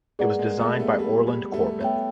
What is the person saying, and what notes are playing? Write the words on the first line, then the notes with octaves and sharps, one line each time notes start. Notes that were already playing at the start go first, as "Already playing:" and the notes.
It was designed by Orland Corben.
G#3 A#3 G#4 B4 D5 F#5 A#5
G#3 A#3
A3 B3
G3 A3
G3 A3
G3
G3 A3
A3 B3 C#5 E5 G5